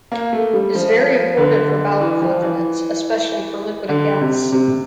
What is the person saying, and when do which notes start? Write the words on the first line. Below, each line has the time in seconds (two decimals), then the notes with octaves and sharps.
It is very important for bowel continence, especially for liquid and gas.
0.12 A#3
0.33 A3
0.53 G3
0.75 F3
1.37 D3
1.69 D3
2.00 E3
2.22 F3
2.42 E3
3.89 D3
4.21 C3
4.52 C3